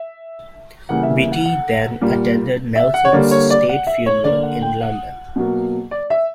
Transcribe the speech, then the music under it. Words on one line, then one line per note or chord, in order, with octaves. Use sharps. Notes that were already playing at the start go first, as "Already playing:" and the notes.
Beatty then attended Nelson's state funeral in London.
Already playing: E5
C#3 E3 G3 A#3 F#5
E5
E5
F#5
F#5
A#2 G3 A#3
E5
F#5
C#5
D3 G3 A#3 D5
C#5
D5
F#5
E5
C#5
D3 A#3 D5
F#5
G5
F#5
B2 F#3 A#3
D5
E5